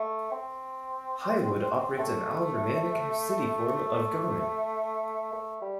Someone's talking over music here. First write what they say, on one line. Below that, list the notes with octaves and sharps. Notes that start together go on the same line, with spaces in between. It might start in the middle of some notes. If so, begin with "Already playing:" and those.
Highwood operates an aldermanic-city form of government.
Already playing: A3
C4
A3
A3
G3